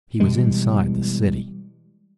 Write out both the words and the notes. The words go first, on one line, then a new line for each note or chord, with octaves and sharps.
He was inside the city.
B2 E3 G3 G#3